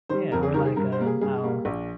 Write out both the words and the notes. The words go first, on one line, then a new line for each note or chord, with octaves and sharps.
yeah, or, like, um, I'll
D#3 G3 C5
F2 A#4
G#4
D#3 G3 A#4
G#4
G2 A#4
C5
G3 A#3
G#4
G2 G#4
G3 A#3
A#1